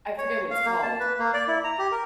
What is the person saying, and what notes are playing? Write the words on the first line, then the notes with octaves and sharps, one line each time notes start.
I forget what it's called,
C#5
F5
A#3
A5
B4
A#3
D5
E4
A#5
G4
A#4